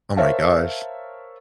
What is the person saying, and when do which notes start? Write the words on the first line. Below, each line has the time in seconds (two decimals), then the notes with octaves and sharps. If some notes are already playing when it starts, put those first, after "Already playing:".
Oh my gosh.
0.17 A#4 C5 C#5 E5 F5 A5